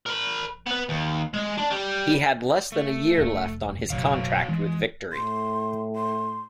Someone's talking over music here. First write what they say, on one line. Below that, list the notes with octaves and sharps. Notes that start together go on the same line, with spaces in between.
He had less than a year left on his contract with Victory.
A#4 B5
B3 B4
D#2
G#3
D4
G3 G4
A3
F1
F#1 B1 F#4 C#5 F5
E3 G#3
A2 C6
C6